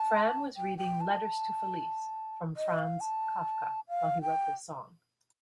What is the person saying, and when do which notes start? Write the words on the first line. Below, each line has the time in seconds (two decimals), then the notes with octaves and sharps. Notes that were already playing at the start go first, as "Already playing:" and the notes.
Fran was reading Letters to Felice from Franz Kafka while he wrote this song.
Already playing: A5
0.57 G5
0.78 G5
1.01 A5
2.57 D#5
2.79 F5
3.00 A5
3.89 F5
4.22 G5